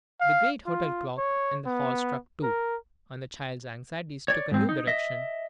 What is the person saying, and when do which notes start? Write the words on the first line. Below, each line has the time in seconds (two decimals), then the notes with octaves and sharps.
The great hotel clock in the hall struck two, and the child's anxieties took a new direction.
0.21 F5
0.67 F4
1.18 C#5
1.66 B3
2.43 A#4
4.28 C#5 D5
4.51 G#2 C4
4.69 D#4
4.87 D#5 E5